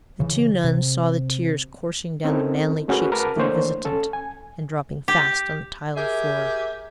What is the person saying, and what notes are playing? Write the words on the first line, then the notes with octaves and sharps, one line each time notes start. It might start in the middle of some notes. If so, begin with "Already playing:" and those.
The two nuns saw the tears coursing down the manly cheeks of their visitant, and dropping fast on the tiled floor.
C#3 E3
C3
C4 C#4 D#4 E4 A4 A#4
A3 C#4 F#4 G#4 A#4 B4
A#4 B4 F#5 A5 D6
E3 A3 A#3 D4 C5 C#5
C#4 A4
G#5
G4
G4 G#4 A#4 E5